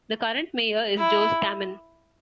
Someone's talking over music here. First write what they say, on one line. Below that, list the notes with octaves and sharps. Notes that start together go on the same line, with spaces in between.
The current mayor is Joe Stammen.
E4